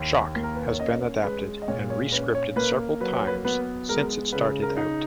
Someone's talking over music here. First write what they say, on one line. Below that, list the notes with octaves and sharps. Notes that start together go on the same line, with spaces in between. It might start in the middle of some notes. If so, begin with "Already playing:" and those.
"Shock" has been adapted and re-scripted several times since it started out.
Already playing: D#2
A#3
A#4
B4
C#5
C#4 D#5
G#3 B4
D#5
A#2 C#5
C#5
C#4 B4
C#5
A#3 B4
F#3 B4
C#5
B4
B3 B4
G#3 A#4
C#3 B4
A#4
D#4